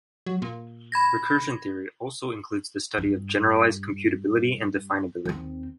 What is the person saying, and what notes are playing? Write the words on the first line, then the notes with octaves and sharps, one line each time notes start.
Recursion theory also includes the study of generalized computability and definability.
F#3
A#2
B5 G#6 A#6
G2
D#2 C4